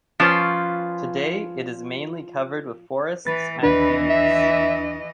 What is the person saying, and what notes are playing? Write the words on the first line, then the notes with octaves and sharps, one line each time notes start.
Today it is mainly covered with forests and heaths.
F3 C#4 F4 B4 C5
E3 B4 A6
D#2 E3 D4 B4 D#5
E5